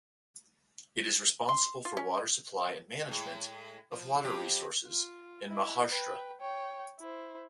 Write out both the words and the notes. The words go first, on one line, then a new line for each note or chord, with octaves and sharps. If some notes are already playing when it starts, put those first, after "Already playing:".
It is responsible for water supply and management of water resources in Maharashtra.
C6
F4
C#4
A2 G#3
F3
F2 G4
F4
E4 D#5
B4 G5
C#5 G5
E4 C5